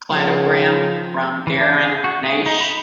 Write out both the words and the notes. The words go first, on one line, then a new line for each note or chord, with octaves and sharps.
Cladogram from Darren Naish.
C#3 F3
E3
D4
G#4
F#4
G#4
D#4
B5